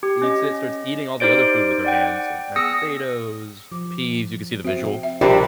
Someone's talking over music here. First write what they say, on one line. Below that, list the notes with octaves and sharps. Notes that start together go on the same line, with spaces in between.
eats it, starts eating all the other food with her hands, like mashed potatoes, peas you can see the visual,
G4
C#4 D#5
D#4 G4 C5 D5 D7
D5 F#5 G5
B3 G#4 D#6 E6 A#6 C#7
F3 D6
C4 F#4 E5
E5
A#1 C3 G3 D4 F4 C5